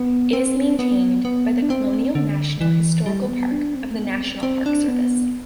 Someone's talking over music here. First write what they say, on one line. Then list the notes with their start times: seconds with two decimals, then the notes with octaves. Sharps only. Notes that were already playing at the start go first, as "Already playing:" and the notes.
It is maintained by the Colonial National Historical Park of the National Park Service.
Already playing: B3
0.33 C4
0.79 B3
1.25 B3
1.62 D4
1.70 C4
2.15 D3
2.61 E3
3.06 G3
3.29 B3
3.52 D4
3.75 C4
3.91 A3
3.97 B3
4.20 C4
4.43 C4
4.66 D4
4.88 B3